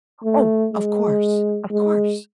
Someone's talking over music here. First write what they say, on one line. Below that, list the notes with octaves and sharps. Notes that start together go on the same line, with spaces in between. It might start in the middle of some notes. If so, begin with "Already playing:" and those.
Oh, of course, of course.
A3
G#3
G#3